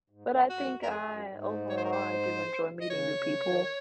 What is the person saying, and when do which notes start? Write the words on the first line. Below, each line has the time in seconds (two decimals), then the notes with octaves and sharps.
But I think I overall, I do enjoy meeting new people.
0.10 G#2
0.30 F#2
0.49 F#2 F#4
0.76 F2
0.83 A#4
0.90 G#4
1.03 F#2
1.30 G#2
1.69 C#5
1.77 C5
1.84 A#4
1.92 C5
2.81 D#5
2.90 C#3 C#5
3.16 C#3
3.43 D#3